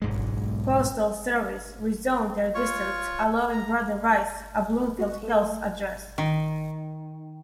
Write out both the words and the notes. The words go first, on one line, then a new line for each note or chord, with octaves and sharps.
Postal Service rezoned their districts allowing Brother Rice a "Bloomfield Hills" address.
B1 G#2 G#3
F4 C#5 C#6
A#5
F#4
A3
D#3